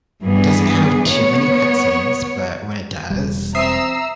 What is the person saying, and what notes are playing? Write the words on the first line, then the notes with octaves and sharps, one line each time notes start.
doesn't have too many cut scenes, but when it does,
G2 E3 B3 G#4
B3 C#5
E1 B1 G3
C4 E5 A#5 D#6 E6 C7